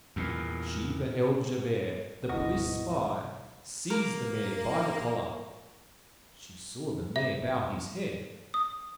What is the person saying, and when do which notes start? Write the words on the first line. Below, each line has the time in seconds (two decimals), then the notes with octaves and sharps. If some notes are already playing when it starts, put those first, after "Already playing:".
She beheld Javert, the police spy, seize the mayor by the collar; she saw the mayor bow his head.
0.16 E2 A#2
2.29 D2 G#2 B2 E4 D#5 F#5 C#6
3.90 A#3 A#4
7.16 E5
8.54 D#6